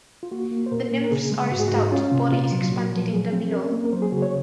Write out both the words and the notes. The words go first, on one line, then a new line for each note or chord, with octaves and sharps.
The nymphs are stout, body is expanded in the middle.
F4
A#3 F#4
A#3
C5
A#2 A#4
A#3
A#4
C#3 G#4
G#3
G#2 F#4
G#4
G#2 F#4
C#4 F4
C3
A#2 F4
F#3
A#2 F#4
F3
F#3 G#4
C4
C#4 A#4
A#3
A#4
F#3 C5
G#4
C#3 F#4
C#5